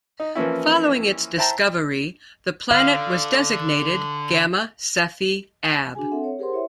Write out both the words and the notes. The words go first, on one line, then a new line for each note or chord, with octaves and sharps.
Following its discovery the planet was designated Gamma Cephei Ab.
D#4
E3 F3 A#3 C#4 E4
C5 E5 G5 A5 A#5
D3 F5
D4 F#4 G#4 G#5
C4 A4 E5 F#5
C#5
G4 G#4 A#4 C5 F#5 C6
E4 C#5 E5